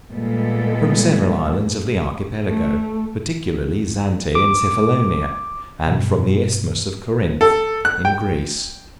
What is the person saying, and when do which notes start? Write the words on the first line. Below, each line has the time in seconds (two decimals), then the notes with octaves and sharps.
From several islands of the Archipelago, particularly Zante and Cephalonia; and from the Isthmus of Corinth, in Greece.
0.12 A#2 G3 G#3 B3 A4
2.46 A3
4.35 D6
5.87 G2 B2
7.41 A4
7.85 F#6
8.05 G5